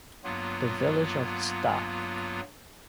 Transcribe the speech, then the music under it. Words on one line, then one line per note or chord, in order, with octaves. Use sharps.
The village of Sta.
G2 F#3 A#3 B3 F4